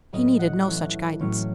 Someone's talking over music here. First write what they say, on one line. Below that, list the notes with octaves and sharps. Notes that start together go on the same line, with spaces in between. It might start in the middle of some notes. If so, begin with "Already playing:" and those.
He needed no such guidance.
A2 F#3 C#4 D#5
F#5
E3 A3 C#4
A2 F#3 C#4